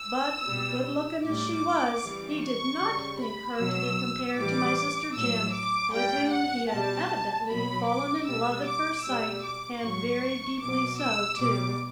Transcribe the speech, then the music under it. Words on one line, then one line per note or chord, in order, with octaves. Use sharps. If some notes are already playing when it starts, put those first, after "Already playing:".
But, good-looking as she was, he did not think her to be compared to my sister Janet, with whom he had evidently fallen in love at first sight and very deeply so, too!
Already playing: E6
B2 G3
A2 G3 D6
C#3 E3 G3
C#6
C#3 G3
B5
B2 F#3 E6
A2 E3 G3 D6
A2 F#3 E6
D6
A2 G3 G5
F#5
B2 G3 A5
B2 F#3 B5
D6
B2 G3 E6
D6
B2 G3 E6
D6
A2 F#3 C#6
B2 F#3 D6
E6
B2 G3 D6